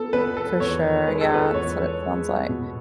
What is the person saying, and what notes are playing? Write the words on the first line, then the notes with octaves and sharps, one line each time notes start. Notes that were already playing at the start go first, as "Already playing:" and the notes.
For sure, yeah, so, that sounds, like
Already playing: B3 A4
B3 B4
A4
E2 C#5
G#3 B4
A4
B4
E2 C#5
G#3
B2